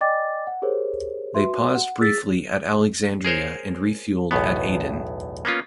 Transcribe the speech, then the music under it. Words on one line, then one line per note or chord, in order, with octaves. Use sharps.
They paused briefly at Alexandria and refuelled at Aden.
D5 D#5 G5 G#5 D6 A6
F#5
G4 G#4 A#4 C5 C#5
F#4 B4 E5 C6
F#5
G#4 E6 A6 B6
G#4 A#4 C5 C#5
B1 E2 A2 B3
A#3 B3 C#4 F4